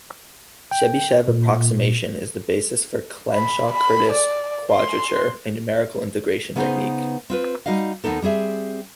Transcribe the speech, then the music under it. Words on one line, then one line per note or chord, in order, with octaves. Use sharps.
Chebyshev approximation is the basis for Clenshaw-Curtis quadrature, a numerical integration technique.
G5
A#2
B5
B5
D5
C6
C#3 B3 D#4 G#4 B4 C5
C4 F4 B4
G3 D#4 F#4 D#5 F5
D#2 D#3 B3 D#4 A4
G3 C4 G#4 E5